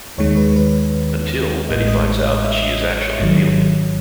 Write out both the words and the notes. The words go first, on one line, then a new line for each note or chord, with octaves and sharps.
Until, Betty finds out that she is actually an alien.
D#2 D#3 G#3 C#5
B4
B4
A1 A2 G#3 D#5
D#5
C#5
D#5
E5
D#5
D#5
C#5
G#1 G#2 D#3 F#3